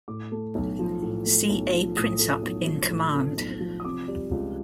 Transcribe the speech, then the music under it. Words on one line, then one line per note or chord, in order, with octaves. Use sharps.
C. A. Printup in command.
A2 D6
A3
B1
F3
A2
A3
B1
F3
A2 D#6
A3
B1
F3
A2
A3
B1
F3
D#6
C3 D6
G3
C#2